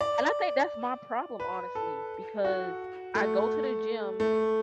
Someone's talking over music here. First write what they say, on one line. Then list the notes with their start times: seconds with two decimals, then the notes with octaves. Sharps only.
And I think that's my problem, honestly, because I go to the gym,
0.01 D5
1.40 B4
1.75 A4
2.45 F#4
3.15 A3
4.20 A3